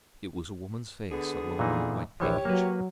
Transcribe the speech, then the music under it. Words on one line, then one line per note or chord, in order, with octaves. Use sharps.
It was a woman's face, alone on the white page.
D3 B3 G#4
A#2 E3 D#4
A#1 E3 F3 G4 C#5
F#3 A#3 F#4 B4